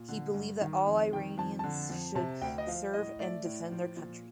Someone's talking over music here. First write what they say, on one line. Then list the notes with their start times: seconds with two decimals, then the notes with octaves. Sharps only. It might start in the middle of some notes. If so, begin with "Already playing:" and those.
He believed that all Iranians should serve and defend their country.
Already playing: A#2
0.08 D3
0.34 G2
0.61 D#3
0.87 F2
1.13 D#3 G5
1.38 F2 A5
1.59 D3 A5
1.90 F2
2.15 C3 A5
2.41 D2 G5
2.58 D#5
2.67 F3 F5
2.94 A2 D#5
3.19 A3 D5
3.45 A2
3.72 F3
3.97 A#2